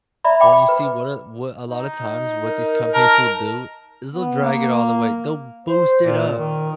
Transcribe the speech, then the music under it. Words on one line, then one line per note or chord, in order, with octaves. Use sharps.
When you see what a what a lotta times, what these companies will do is they'll drag it all the way, they'll boost it up.
D5 E5 A#5 B5
E5 G5 B5 D6
B4
D#4
A#4
A#4 A5
B3
A#3
C5
A#2
D#3